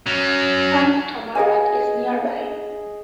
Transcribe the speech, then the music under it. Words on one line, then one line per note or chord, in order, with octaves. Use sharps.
Camp Tamarack is nearby.
F#3 C#4
G#4 D#5 G#5